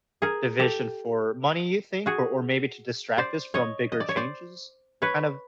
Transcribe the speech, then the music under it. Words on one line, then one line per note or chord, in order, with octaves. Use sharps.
division for money, you think, or or maybe to distract us from bigger changes, kind of
G#4 A#4
G4 A4
F#4 G#4
C5 D5
C#5 D#5
D#5
D5
C#5
C5 D5
B4 C#5